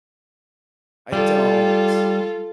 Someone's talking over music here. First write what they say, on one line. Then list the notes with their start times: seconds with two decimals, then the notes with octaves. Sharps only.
I don't.
1.12 G3 F4 A4